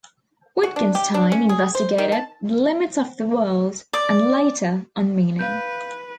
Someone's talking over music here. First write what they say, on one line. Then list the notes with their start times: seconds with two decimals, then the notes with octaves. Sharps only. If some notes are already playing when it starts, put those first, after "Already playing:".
Wittgenstein investigated the "limits of the world" and later on meaning.
0.63 F#4
0.76 D4
0.95 G4
1.14 D4
1.32 C#4
1.49 G#4
1.75 C5
1.98 D#3
2.12 A5
3.93 D5 D6
5.39 B4 F5 G6